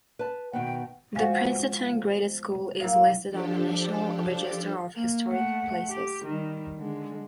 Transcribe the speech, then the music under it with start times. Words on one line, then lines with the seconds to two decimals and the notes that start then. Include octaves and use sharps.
The Princeton Graded School is listed on the National Register of Historic Places.
0.19 B4 A5
0.53 B2 D#3 B3 G5
1.15 E2 F3 G#3 F#4 F5
2.80 F#3 A#3 E4 F5
3.29 F3 D4 G4 A4
4.95 A#3
5.30 A3 F#5
5.91 G4
6.25 D#3 G3
6.78 D3 G#3